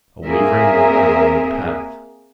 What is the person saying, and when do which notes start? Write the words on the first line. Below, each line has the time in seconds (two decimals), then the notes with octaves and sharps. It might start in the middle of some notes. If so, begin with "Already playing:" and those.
A wavering line along the path.
0.25 A#3 C4 G#4 A#4 E5